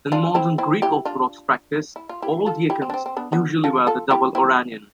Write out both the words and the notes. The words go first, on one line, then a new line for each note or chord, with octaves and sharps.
In modern Greek Orthodox practice, all deacons usually wear the double orarion.
D4 F4
C4 E4
C4 E4
E4 G4
D4 F4
E4
F4
E4 G4
F4 A4
E4 G4
C4
D4
C4
C4
B3 D4
B3 D4
F4 A4
F4 A4
E4 G4
C4 E4